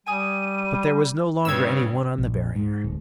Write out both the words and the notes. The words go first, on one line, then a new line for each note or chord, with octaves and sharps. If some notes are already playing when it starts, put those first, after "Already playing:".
But there was no longer any one on the barrier.
G3 G5 G#5 D#6 D#7
G2 C#3 E6 G#6
A#1
G#2
D1